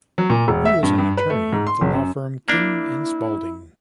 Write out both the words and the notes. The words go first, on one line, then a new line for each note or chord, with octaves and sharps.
He was an attorney with the law firm King and Spalding.
F#3
A#2
E1
E5
G2
G2
B4
A3
G#2
C6
F#1
F#2
A#3 D4 E4